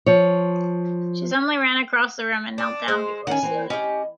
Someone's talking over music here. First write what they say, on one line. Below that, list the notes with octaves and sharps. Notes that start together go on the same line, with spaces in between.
She suddenly ran across the room and knelt down before Celia.
F3 C#5
D4
G#3 C5
D#3 C#4 F#5 G#5
E3 C4
C#4 G4 D#5